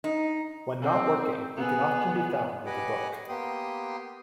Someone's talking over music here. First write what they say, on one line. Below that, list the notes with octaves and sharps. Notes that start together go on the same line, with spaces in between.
When not working, he can often be found with a book.
D#4
C4
B3 G#4
G4 B4 D#5 F#5 G#5 D6
A#3 B3 G4 G5 C6 D#6